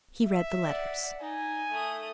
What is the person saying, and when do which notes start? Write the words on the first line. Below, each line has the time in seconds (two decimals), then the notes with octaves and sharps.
He read the letters.
0.23 E5
0.63 D5 F#5
1.20 D#4 G#5
1.71 A3 D#6